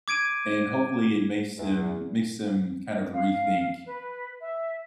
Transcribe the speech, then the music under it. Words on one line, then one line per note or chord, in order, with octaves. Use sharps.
and, hopefully, it makes them makes them kind of rethink,
D6 G#6 D7 D#7
E2
F5
B4
E5